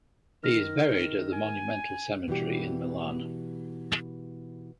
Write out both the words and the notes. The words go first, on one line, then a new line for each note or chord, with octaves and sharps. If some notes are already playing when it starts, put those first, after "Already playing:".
He is buried at the Monumental Cemetery in Milan.
D#3 F6 A#6
G#5
B2 E3 G3 G4